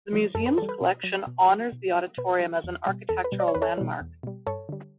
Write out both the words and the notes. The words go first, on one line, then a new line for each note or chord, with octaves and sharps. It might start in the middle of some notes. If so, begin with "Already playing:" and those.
The museum's collection honors the auditorium as an architectural landmark.
E3 G3
F#2 A4
B4
E3 G3 A4
B4
B2
F#3
B2
F#3
B2
F#3
B2 B4
F#3
E2
B2 G3
E2 A4
B4
B2 G3
D5
C#5
E2 B4
A4 C#5
B2 G3
E2
B2 G3
G2 A4 C#5
D3 G3